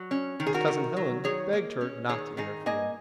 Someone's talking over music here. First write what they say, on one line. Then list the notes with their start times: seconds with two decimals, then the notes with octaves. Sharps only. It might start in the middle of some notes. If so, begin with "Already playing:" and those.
And Cousin Helen begged her not to interfere.
Already playing: F#3
0.11 C#4
0.40 D#3 A#4
0.46 G#4
0.54 F#4 A#4
0.68 D#3
0.97 F#3
1.24 D#3 G#4 C#5
1.53 A#3
1.81 C#4
2.09 D#3 G#4 C#5
2.37 D#3 D#4 G#4
2.66 A#3 D#5 G#5